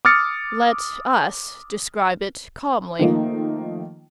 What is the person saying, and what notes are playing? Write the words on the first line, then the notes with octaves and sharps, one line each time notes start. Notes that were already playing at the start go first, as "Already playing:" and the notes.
Let us describe it calmly.
D6 D#6 F6 A6 C#7
D#3 F3 A3 A#3 D#4 F4